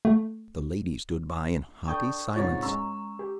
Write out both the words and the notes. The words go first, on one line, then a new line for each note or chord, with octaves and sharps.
The lady stood by in haughty silence.
A3
D4 A4 G5 C#6 D#6 G6
C2 G#2 F4 C#5 C#6 A6
G#3 C#4 A#5 C#6 E6
G4